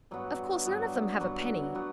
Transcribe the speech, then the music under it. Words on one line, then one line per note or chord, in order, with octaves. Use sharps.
Of course none of them have a penny.
G2 F#3 B3 F#4
G2 F#3 B3 F#4
G2 F#3 B3 F#4
F#3 B3 F#4